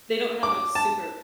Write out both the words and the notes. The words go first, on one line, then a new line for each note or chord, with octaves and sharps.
They don't have a super
D6
A5